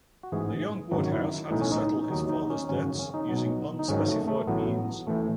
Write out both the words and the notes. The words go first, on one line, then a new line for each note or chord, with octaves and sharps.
The young Woodhouse had to settle his father's debts using unspecified means.
F#4
A1 G#2 E3 G#4
G#1 F#2 D#3 F#3 F#4
E4
B1 A2 E3 D#4
C#4
D#4
D#2 D#3 F#3 D#4
D#4
C#4
G#1 F#2 C#3 C#4
C#4
D#4
B1 B2 F#3
D#4
G#1 G#2 D#3 F#3 C#4
A3
A3
A1 A2 F#3 B3
A1 A2 E3 A3